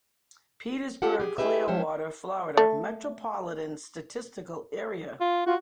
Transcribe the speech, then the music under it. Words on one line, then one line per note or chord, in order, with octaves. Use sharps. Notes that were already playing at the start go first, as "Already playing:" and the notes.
Petersburg-Clearwater, Florida Metropolitan Statistical Area.
C#4 F4 G4 A4 F5 F#5
G4 G#4
E4 G4 G#4 B4 D#5 E5
F3 G#3 C#4 E4 C5 E5
A3
F4
F4 F#4